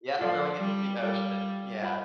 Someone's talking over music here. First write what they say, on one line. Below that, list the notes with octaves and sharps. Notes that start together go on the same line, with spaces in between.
yep, throwing it into the ocean. Yeah.
F3 F4 A4 D5 F5
G3
G3 F4 A4 D5 F5
F4 B4 F5 B5